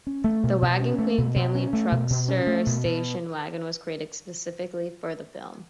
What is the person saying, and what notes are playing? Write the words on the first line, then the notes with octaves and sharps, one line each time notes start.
The Wagon Queen Family Truckster station wagon was created specifically for the film.
C#4
A3
B2
B2
C#4
A3
B2
B2
C#4
A3
B2
B2
C#4
A3
B2
B2